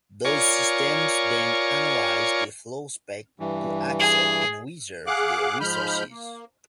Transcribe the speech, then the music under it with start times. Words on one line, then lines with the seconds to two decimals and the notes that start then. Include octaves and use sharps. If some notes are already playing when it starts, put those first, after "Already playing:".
Those systems then analyse the "flowspec" to accept and reserve the resources.
0.25 F4 A#4 C#5 D5 G#5 C#6
3.40 G2 E3
4.00 G#4
5.07 G#4 F5 F#5 D6 F#6
5.60 G#2 F3 G#3 B5 F6 G6
6.10 A#3